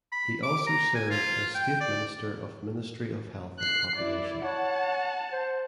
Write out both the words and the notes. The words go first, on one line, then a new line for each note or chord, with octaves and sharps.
He also served as State Minister of Ministry of Health and Population.
B5
D6
A#5
G#5
F4
G5
D5
F#6 C7
E4 D5
C#5 F#5 A5
C5